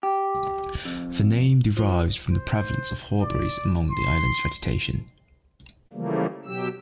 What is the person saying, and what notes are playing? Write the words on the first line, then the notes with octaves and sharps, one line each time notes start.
The name derives from the prevalence of hawberries among the island's vegetation.
G4
F2
F3
C5
D5
C6
C#3 E3 F3 G3 A3 A#3
B2 F#3 G4 E6